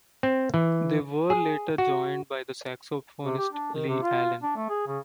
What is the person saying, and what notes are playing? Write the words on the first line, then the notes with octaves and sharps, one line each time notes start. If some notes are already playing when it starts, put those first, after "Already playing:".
They were later joined by the saxophonist Lee Allen.
C4
E3
G#4
F#4
C3
G4
D4
D#3
C3
F4
D4
A3
G#4
C#3